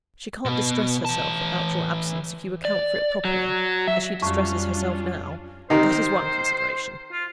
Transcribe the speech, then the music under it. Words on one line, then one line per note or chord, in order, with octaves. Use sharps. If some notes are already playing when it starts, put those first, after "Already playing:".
She can't distress herself about your absence, if you account for it properly, as she distresses herself now--that is one consideration.
B2
E3 A5
D5
F#3
E5
F2 F#3 G3 C#4 D4 F4 C#6
C3 D#3 D#4 C5
F4